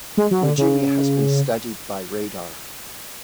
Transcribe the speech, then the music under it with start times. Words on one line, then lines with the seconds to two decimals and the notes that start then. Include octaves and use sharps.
Virginia has been studied by radar.
0.17 G#3
0.31 F#3
0.43 D3
0.58 C#3